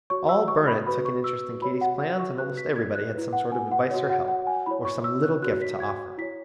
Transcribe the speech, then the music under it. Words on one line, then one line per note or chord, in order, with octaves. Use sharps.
All Burnet took an interest in Katy's plans, and almost everybody had some sort of advice or help, or some little gift to offer.
F#4 C#5 C#6
E6
C#6
B5
F#4 B4 B5
C#6
E6
F#4 C#5 B5
F#5
C#6
F#4 B4 F#6
B6
G#6
F#6
E4 B4
F#5
G#5
F#5
F#4 C#5
F#5
F#5
G#5
E4 C#5 B5
C#6
E6
F#6
F#4 C#5 F#6
B6
G#6
E4 C#5 B6